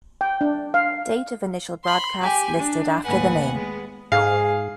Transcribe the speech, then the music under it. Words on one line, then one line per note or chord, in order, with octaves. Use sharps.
Date of initial broadcast listed after the name.
G5
D4
F5
B5 C6
G4 G#5
D4
D#2 A2 B4 F#5 G#5
G#3 B3
G#2 G#4 F5